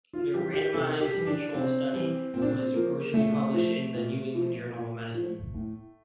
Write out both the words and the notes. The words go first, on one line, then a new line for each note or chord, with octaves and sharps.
The randomized control study was originally published in the New England Journal of Medicine.
F4
E3 G3 G4
G4
C3 A4
G4
E3 G3
D4
C3 C4
E3 G3
A#2 C4
D4
C4
F3 A#3
A#2 A3
F3
A#2
F3
A#2
F3
A2